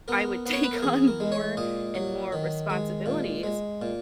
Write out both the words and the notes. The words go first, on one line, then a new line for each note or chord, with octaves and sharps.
I would take on more and more responsibilities,
B3 A#4
B3
C#5
B4
A#4
E3 G#4
A#4
G#3
C#5
A#2 D#5
F#3
D#3
G#3
A#2
G#3
A#2